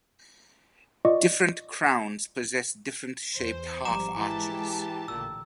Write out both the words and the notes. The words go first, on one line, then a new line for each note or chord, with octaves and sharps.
Different crowns possess different shaped half arches.
F4 D5 D#5 C#6
E2 C5
G#1 F3 G3 A#5 D6 E7
E3 G#3 G4 A5
A1 A#2 D3 E6